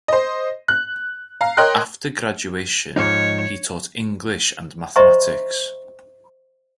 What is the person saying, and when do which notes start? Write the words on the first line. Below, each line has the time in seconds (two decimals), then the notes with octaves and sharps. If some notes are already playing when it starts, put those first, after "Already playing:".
After graduation he taught English and mathematics.
0.08 C5 D#5
0.68 F#6
1.41 F5 A#5
1.57 A#4 C#5 D#5 G5 C6 F#6
2.96 G#2 F3 D#4 C#5
4.96 C5 D#5 E5 A#5 C6 C#6